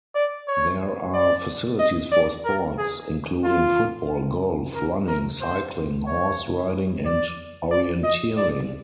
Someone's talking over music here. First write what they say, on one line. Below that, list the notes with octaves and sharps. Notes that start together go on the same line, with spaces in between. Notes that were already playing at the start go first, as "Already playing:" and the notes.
There are facilities for sports including football, golf, running, cycling, horse-riding and orienteering.
D5
C#5
D5
D#5
D5
A#4
G#4
F4
A#4
A#4
C5
C#5
D5
D5
D#5
D5